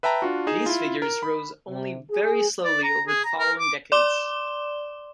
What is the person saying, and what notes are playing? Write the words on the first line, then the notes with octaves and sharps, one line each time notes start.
These figures rose only very slowly over the following decades.
B4 E5 G5 A5 A#5
D4 F4 F#4
D#4 G#4 G#5 E7
E4 F4
A#4
B5
C3
G#4
D5
A#5
G#4
A#5
A#4
D6
D5 C6 D6 E7 G7